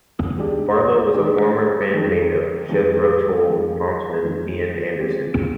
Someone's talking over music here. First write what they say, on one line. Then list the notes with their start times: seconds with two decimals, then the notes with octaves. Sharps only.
Barlow was a former bandmate of Jethro Tull frontman Ian Anderson.
0.37 D#3 G#3 D4 G4
1.14 D#3 G#3 D4 G4
1.91 F2 D#3 G#3
2.69 F2 D#3 G#3
3.45 F2 D#3 G#3
4.22 F2 D#3 G#3
5.00 F3 G#3 C4 G4